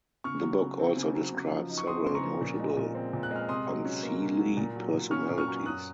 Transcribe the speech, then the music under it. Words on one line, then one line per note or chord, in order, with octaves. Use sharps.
The book also describes several notable Unseelie personalities.
C#3 C#6 F6
F#3
C#3
C4
C#3
F#3
C#3
F3
D#4
C#6
C4 C6 D#6
C#3 C6
A#5 C#6
F3
A#2
G#3
A#2
C4
A#2
F#6
G#3
F6
C3 C6 D#6
F#3
C#4
A#3
C3
F#3
A#2
F#3
A#2
C#4 C#6 F6
A#2
C#6 F6
F#3
F#2 D#6 F#6